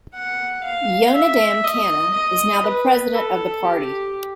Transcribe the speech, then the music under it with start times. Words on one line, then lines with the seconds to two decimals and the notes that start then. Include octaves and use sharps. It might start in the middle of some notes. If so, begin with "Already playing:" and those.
Yonadam Kanna is now the president of the party.
0.14 F#5
0.64 F5
1.15 E5
1.64 D#5
2.14 D#5
2.64 B4
3.14 A4
3.64 G4